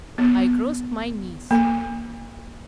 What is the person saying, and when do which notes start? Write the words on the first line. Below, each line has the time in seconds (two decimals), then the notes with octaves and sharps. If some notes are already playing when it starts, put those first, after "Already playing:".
I crossed my knees.
0.18 B3
1.51 A#3